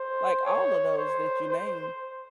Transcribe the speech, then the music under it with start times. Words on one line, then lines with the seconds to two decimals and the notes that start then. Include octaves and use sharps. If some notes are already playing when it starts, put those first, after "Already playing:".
Like, all of those that you named,
Already playing: C5
0.46 C#5
0.97 C5
1.50 C5